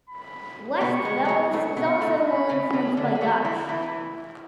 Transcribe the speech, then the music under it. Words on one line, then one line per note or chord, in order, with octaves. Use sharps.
West-Veluws is also more influenced by Dutch.
B5
B2 B3 C#6
G#3
G#3
F#3
A2 A3 C#6
B2 B3
A2 A3
B5
C#3 C#4
C#3 C#4
D3 D4
G#4
F#3 F#4
E3 E4
E3 E4